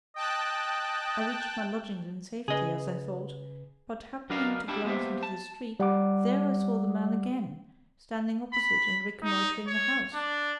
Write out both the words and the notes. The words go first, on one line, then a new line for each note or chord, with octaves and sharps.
I reached my lodgings in safety, as I thought, but happening to glance into the street, there I saw the man again, standing opposite, and reconnoitering the house.
D#5 G5 A5 F#6
C#3 G#4 B4 D#5
F#3 A#4 B4 D5 D#5 F5
G3 D4 E4 G4
A#3 B3 G4 C5 E5
A5
G3 F#5 D6
B5
D#4
C#5
D4